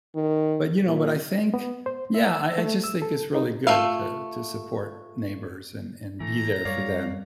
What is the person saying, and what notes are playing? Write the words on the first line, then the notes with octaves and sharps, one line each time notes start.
But, you know, but I think Yeah, I I just think it's really good to to support neighbors and and be there for them,
D#3
A#2
B3
C5
E5
E6
A3
E6
A4
D#4
A3 F4 E5 F5
E3 A3 A#5
F#2 G3 C#5 D5 F5